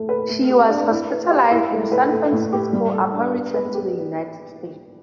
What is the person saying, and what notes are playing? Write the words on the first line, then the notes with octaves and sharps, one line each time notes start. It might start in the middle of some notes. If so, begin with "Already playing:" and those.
She was hospitalized in San Francisco upon return to the United States.
Already playing: A3
B4
A3
G4
D4
E4
B4
G4
E4
A3
B4
A3
A2
G4
G3
A4
D4
B3
B4
G4